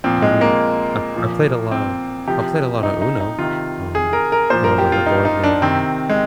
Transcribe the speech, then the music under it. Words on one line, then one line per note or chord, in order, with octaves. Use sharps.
I mean, I I played a lot of I played a lotta UNO, um, more, like, a board game, yeah.
A#2 F3 C4
G#3
A#3
A#2 F3
C4
C3 F3 G4
D#4
D#4
D#4
C3 D#3 F4
G#4
A#4
A#4
A#2 F3 C5
A#4
G4
F4
D#4
D#4
D4
C3 D#3 C4
G#3